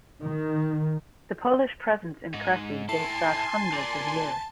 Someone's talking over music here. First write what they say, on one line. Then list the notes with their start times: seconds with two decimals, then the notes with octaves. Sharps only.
The Polish presence in Kresy dates back hundreds of years.
0.21 D#3
2.34 G#2 D#4
2.89 E4 A4 G#5 A5 C6 C7
3.74 A#4 D5